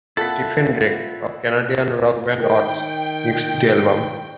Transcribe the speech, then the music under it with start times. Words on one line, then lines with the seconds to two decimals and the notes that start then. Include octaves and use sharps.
Stephen Drake, of Canadian rock band Odds, mixed the album.
0.17 A#2 E4 A4 F#5 A6 B6
2.40 D#3 A#4 G5